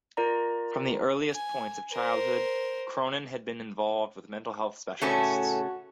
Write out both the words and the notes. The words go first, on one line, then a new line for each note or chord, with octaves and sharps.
From the earliest points of childhood, Cronin had been involved with mental health specialists.
F4 A#4 D5 A#5
G#5
A#4 C5
A2 C#3 A3 C#4 F#4 A4 G#5